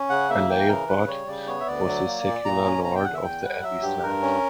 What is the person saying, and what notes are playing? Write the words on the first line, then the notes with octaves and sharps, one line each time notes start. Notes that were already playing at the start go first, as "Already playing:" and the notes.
A "lay abbott" was the secular lord of the abbey's lands.
Already playing: C#4
C#3 F#5
A#3 E5
E3 G5
C#3 A#4
C#3 B4
G3 C#5
C#3 D5
B3 C#5
E5
D2 D5
F#3
A#3
A#2
A#2 A#5
C#4
B2 A#5
G5
E2 F#5
E5
E2 G5
G3 F#5
F#3 E5
G2 G4
G2 A#4
C#4